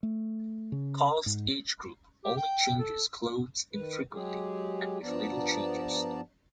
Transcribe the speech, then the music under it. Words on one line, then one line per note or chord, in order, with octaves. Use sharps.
Carl's age group only changes clothes infrequently and with little changes.
A3
C#3
G#2
G4
G5
A4
D#3 B4
F#3 G#3 G4 G#4
G2 F3 B3 D5 A5 A#5